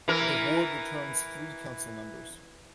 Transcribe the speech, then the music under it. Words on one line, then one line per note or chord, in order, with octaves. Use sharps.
The ward returns three council members.
E3 A#4